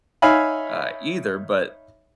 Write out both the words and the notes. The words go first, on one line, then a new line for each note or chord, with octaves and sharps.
uh, either, but
D#4 C#5 E5 F5 G#5 B5